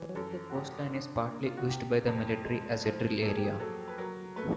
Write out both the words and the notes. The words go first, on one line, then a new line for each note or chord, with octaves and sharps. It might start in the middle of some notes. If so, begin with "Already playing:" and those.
However, the coastline is partly used by the military as a drill-area.
Already playing: E3
F#2 A4
F#4
G#1 G4
D3
A#3
F4
F#4
C3 G4
F2
G#3
F3
A#3 A4
G#4
G4
G#4
F#3 A4
B4
F#3 A#4
A3 B4